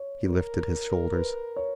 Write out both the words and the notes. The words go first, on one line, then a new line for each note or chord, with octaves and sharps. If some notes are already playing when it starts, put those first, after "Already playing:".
He lifted his shoulders.
Already playing: C#5
A#4
B4
C#5